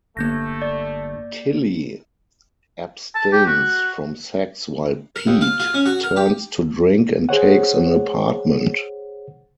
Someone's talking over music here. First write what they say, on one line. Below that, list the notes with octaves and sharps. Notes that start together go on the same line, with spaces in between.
Tillie abstains from sex while Pete turns to drink and takes an apartment.
G1 A3 A#3 G6 A#6
D5
A5
G4
F#4
A#4
D#2
F4
F4
C#4
F#4
A#4
G4
G#4 C5 C#5 F#5